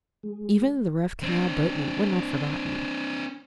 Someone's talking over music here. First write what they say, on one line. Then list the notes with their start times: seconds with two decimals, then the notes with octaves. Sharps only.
Even the rough canal boatmen were not forgotten.
0.23 G#3
1.23 C4 D4